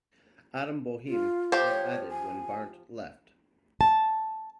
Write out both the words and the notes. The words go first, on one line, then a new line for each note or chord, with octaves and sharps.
Adam Boehm was added when Barnt left.
F4
F3 G4 C5
C#5
G#5
A5